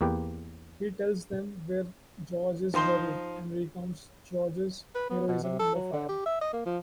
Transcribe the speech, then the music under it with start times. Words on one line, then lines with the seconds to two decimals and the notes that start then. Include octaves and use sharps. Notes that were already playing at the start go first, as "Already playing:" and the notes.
He tells them where George is buried and recounts George's heroism under fire.
0.01 E2 A#3 G4 B4 G5
2.74 F3 D#4 C5 C6
4.95 B4
5.10 B3
5.28 B2
5.43 C3
5.60 A4
5.75 F#3
5.93 D3
6.09 G4
6.26 E5
6.41 D#5
6.53 A#3
6.66 F3